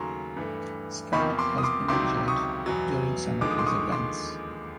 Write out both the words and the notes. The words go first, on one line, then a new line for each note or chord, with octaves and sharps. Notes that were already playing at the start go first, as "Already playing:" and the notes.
Scott has been injured during some of his events.
Already playing: D#2 C#3 F#3 A3 A#5 C6 C#6
G2 E3 A3
E2 C3 F3 A#3 B5 C#6
C6 D6
D#6
C6 D6
C#2 C3 D#3 F#3 C6 D6
C#6 D#6
E2 B2 F#3
D#2 D3 F3 G#3 D6
D#6
C6 D6
C#6 D#6
C6 D6